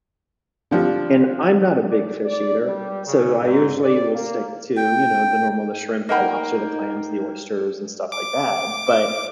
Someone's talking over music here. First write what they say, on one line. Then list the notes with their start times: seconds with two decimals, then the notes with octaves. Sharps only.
and I'm not a big fish eater, so, I usually will stick to, you know, the normal the shrimp, the lobster, the clams, the oysters, and, stuff like that, but,
0.71 D3 F3 G3
1.90 D5
2.25 D5
2.67 G3
3.07 C#3
3.41 G#2
3.81 D5
4.14 A#3
4.77 G5
6.09 A#3 D#4 A#4 D#5 F#5 G5 B5
8.12 D6